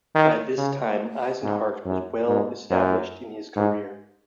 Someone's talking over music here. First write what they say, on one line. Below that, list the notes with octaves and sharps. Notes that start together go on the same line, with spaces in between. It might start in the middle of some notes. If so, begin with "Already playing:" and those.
By this time Eisenhart was well established in his career.
D#3
C#3
G#2
F#2
G#2
F#2
G#2